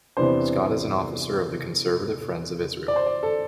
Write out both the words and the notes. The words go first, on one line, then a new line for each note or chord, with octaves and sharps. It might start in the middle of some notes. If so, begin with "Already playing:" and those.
Scott is an officer of the Conservative Friends of Israel.
E2 C3 E3 B3 D4 C5
D5
C5
D5
A4